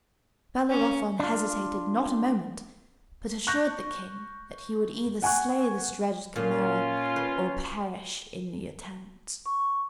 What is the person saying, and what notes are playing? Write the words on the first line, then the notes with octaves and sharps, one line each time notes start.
Bellerophon hesitated not a moment, but assured the king that he would either slay this dreaded Chimaera, or perish in the attempt.
C#4
D4 F4
C#6 F#6 G6 A#6
F#5 G#5 C#6 F#6
A#2 C#4 F4
B4
C#6